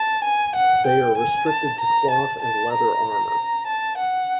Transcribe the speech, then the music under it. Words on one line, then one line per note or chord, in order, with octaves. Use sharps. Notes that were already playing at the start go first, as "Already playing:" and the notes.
They are restricted to cloth and leather armor.
Already playing: A5
G#5
F#5
G5
G#5
A5
A#5
A5
A5
A#5
A5
F#5